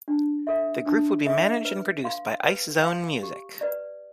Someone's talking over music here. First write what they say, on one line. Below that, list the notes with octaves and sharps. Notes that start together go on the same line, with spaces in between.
The group would be managed and produced by Icezone Music.
D4
A4 E5
D4
A4 E5
B4
F5 C6
B4
F5 C6
G4
B4 D5